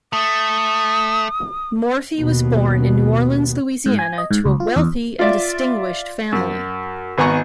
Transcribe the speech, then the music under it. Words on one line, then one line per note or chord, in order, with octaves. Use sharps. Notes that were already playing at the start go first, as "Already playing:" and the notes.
Morphy was born in New Orleans, Louisiana, to a wealthy and distinguished family.
A3 D#6
D#2 B2
G#2
G#5
D#5
G#2
C#2
F4
E2
F4 D5 E5
F#2
G#1 B3 G#5 A#5 C#6